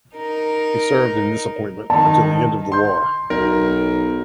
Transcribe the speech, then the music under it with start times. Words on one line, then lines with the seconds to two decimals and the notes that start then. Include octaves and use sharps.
He served in this appointment until the end of the war.
0.15 D#4 A#4
1.90 D#3 A5
2.72 C6 G6
3.30 B1 A#4